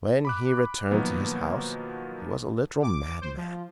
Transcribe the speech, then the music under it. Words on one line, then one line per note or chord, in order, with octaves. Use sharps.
When he returned to his house he was a literal madman.
B5 D6 F#6
B2 D#3 F3 F#3 A#3 B3
D6
C5
F3